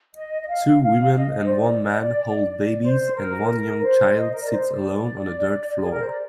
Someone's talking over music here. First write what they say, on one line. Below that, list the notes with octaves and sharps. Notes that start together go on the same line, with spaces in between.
Two women and one man hold babies and one young child sits alone on a dirt floor.
D#5
D#5
F5
F5
D#5
C5
D5
C5
A#4
A#4
C5
D#5
A#4
D5
C5
D5
G#4
A#4
C5
D5